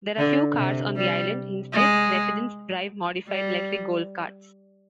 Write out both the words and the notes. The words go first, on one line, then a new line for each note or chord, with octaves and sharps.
There are few cars on the island; instead, residents drive modified electric golf carts.
D3
C3
G3
G#3
G3